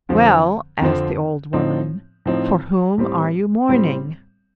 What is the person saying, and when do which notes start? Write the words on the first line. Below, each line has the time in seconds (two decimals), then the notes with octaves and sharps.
"Well," asked the old woman, "for whom are you mourning?"
0.09 F2 D3 F3 C4
0.81 F2 D3 F3 C4
1.53 A2 F3 C4 D#4
2.26 A2 F3 C4 D#4
2.98 A2 G3 C4
3.69 A2 G3 C4